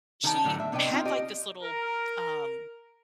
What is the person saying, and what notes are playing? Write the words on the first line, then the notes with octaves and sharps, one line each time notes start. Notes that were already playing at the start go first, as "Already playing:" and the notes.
she had, like, this little, um,
D#3 D#4 G4 G5 A5
A2 D3 F#3
E5
C3 D4 B4 D#5 G5
C4 D#4 F4
G4 D#5
A#4